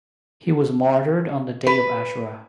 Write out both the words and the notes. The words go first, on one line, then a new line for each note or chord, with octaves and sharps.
He was martyred on the Day of Ashura.
B4